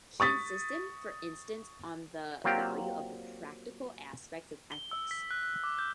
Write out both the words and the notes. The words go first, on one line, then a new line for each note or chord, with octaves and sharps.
He insisted, for instance, on the value of the practical aspects of ethics.
C#6 D#6 A6 B6
F#3 A#3 C4 F4 G4 D5
G7
E6
B6
F#6
F#6
D6
G6